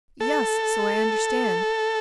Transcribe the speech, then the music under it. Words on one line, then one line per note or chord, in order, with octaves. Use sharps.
"Yes, so I understand."
A4